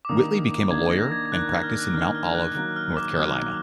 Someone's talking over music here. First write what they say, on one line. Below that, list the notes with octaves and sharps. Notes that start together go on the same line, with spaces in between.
Whitley became a lawyer and practiced in Mount Olive, North Carolina.
D6
D#3 A#3 D4 D#6
D#3 A#3 D4 G#6
A#6
G#6
G#6
D#3 A#3 D4 F#6
G#6
F6
F#6
D#3 A#3 D4 F6
F6
F#6
D#3 F#3 A#3 F#6
F6
D6
D#3 F#3 A#3 F6